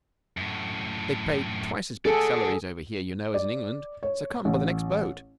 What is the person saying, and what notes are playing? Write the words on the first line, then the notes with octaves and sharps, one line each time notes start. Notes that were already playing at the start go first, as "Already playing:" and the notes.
They pay twice as big salaries over here, you know, as in England, so come by the next boat.
F#2 A2
G#4 A4 D5 F#5
D5
C#5
A1